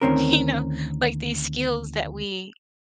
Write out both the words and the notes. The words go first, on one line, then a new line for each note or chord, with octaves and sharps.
you know, like, these skills that we
D2 C3 D#3 C4 C#4 A#4